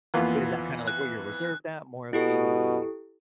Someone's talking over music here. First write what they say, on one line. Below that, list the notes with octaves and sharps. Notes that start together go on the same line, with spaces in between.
but is that kinda like where you're reserved at, more of the
F2 E3 A#3 B3 F4
F#6
B2 E4 G4 A4